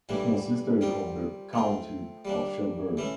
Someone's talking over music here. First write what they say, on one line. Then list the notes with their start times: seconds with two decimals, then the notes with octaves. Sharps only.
It consisted of the County of Shelburne.
0.09 A2 E3 G3 A#3 D4
0.81 G3 C4 F4 A#4
1.53 A3 C4 F4
2.25 G3 A#3 D4
2.97 E3 A3 C#4 E4